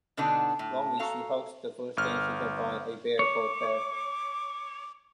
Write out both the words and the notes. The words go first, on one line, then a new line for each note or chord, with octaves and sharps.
Lonely, she hugs the first thing she can find, a bear called Ted.
B2 D3 B3 D4 D#4 F#4
A2
F#4 A4 F5 A#5
G1 F6
C#5 D6